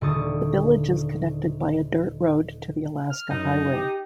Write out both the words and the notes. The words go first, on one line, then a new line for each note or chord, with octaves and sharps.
The village is connected by a dirt road to the Alaska Highway.
D#1 D3 G4 C#6 D#6 A6
F6
F#2 D#4
G4